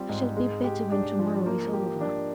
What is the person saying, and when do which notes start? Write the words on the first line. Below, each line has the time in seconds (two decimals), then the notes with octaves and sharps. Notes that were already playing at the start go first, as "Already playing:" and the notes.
'I shall be better when to-morrow is over.'
Already playing: G3 C4 F4
0.09 G#2
0.37 G#3
0.64 G4
0.92 D4
1.19 F3
1.46 A#3
1.73 G4
2.01 D4